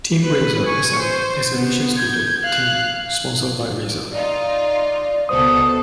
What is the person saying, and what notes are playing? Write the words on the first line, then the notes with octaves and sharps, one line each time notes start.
Team Razor is an exhibition scooter team sponsored by Razor.
B4
G#5 C#6
C5
B3
G6 G#6
F5 F#6
D#4 F4 D5
C#2 B2 A4 C5 D#6